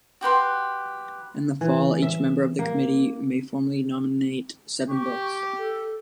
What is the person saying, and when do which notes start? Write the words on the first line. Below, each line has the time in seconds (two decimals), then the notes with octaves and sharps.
In the fall each member of the committee may formally nominate seven books.
0.21 F#4 G4 B4 C6
1.61 E3
2.02 E5
2.59 A#3
4.89 G4 C#6
5.59 A4